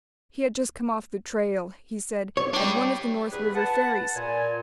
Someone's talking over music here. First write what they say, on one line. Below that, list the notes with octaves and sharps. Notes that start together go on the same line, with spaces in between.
He had just come off the "trail," he said, at one of the North River ferries.
C#5
D4 G4
E2 G2 G#4 B4
B4 F#5 A5
A#2 G#5